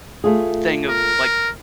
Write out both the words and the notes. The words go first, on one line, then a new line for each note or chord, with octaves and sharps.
thing of, like,
A3 F4 G#4
A#4